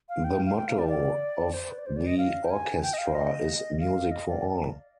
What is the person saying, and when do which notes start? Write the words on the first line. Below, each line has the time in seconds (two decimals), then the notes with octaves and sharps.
The motto of the orchestra is "Music for All".
0.09 F5
0.24 G5
0.46 F5
0.57 G5
0.68 F5
0.78 D5
0.89 D5
1.54 C5
1.69 B4
1.79 D5
1.86 C5
1.96 D5
2.07 D#5
2.18 F5
2.44 G5
2.50 G#5
2.83 G5
2.93 D#5
2.98 F5
3.15 D#5
3.80 F5
4.11 D#5
4.28 D5